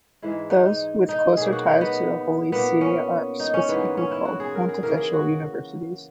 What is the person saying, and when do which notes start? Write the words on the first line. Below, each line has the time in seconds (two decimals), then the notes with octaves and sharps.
Those with closer ties to the Holy See are specifically called pontifical universities.
0.22 G#2 E3 G#3 E4
0.51 D#4
0.65 D#4
1.09 D#4
1.37 B2 F#3 A#3 G#4
1.52 F#4
1.67 D#4
1.81 B3
2.52 A#2 A#3 B3
2.81 C#4
3.40 D#4
3.54 C#4
3.68 G#2 E3 A#3 B3
3.97 C#4
4.11 E4
4.25 F#4
4.40 G#4
4.55 A#4
4.69 G#4
4.83 C#3 E3 A#3 A#4
4.98 G#4
5.13 F#4